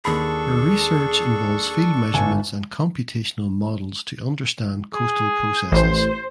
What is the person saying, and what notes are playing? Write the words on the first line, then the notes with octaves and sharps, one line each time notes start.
Her research involves field measurements and computational models to understand coastal processes.
D#2 D4 G#4 A4 B5 C#6
G1 G#5
G#4
A1 C5